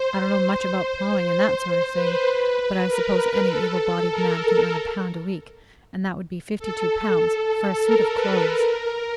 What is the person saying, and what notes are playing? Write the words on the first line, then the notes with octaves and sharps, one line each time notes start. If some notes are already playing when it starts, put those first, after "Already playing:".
I don't know much about plowing and that sort of thing, but I suppose any able-bodied man can earn a pound a week, and that would be fifty-two pounds for a suit of clothes.
Already playing: C5
C5
C5
C5
B4
B4
B4
A#4
A4
A#4
A4
A#4
B4
A#4